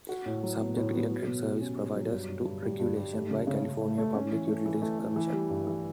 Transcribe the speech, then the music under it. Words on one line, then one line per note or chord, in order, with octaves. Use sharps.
Subjects electric service providers to regulation by California Public Utilities Commission.
F#4
A2
F#3
B3
A2
B3
F#3
B2
G4
C#4
G4
F#3
G2
G2
G2
G3
G2
G3
A3
C#3
C#3
C#3
A3
A3
C#4
E3
A3
E3
A3
A3
E3
G3
G2
E3